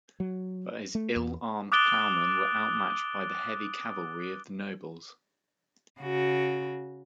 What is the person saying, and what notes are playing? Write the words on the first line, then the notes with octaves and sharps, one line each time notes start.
But his ill-armed ploughmen were outmatched by the heavy cavalry of the nobles.
F#3
A3
E2
D6 D#6 F#6 A6 D7 G7
C#3 F#4